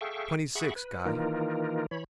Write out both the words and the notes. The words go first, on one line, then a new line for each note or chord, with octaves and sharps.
"Twenty-six, Guy."
G#4 A4 E5 F5 G5 C#6
G#4 E5 F#5 B5 C#6
B4
D#3 E3 A#3 D#4 F4 A#4
E3 C#5 B5